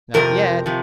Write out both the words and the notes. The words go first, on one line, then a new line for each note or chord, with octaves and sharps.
"Not yet."
F2 C3 F3 A#4
C3 F3